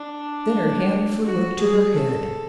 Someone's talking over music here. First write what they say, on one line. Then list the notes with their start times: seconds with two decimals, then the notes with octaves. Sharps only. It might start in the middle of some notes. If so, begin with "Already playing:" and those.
Then her hand flew up to her head.
Already playing: D4
1.25 F#4
1.60 G#4
1.94 A4